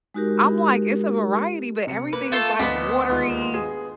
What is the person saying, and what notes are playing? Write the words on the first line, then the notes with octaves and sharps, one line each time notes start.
I'm like, "It's a variety, but everything is, like, watery,
G#3 D#4 F#4 G4 A#4
C3 C#7
A#3 B4
A3 F4 A4
D2 B3 D#5 B5 D6
D#2 G#3 F4
G#4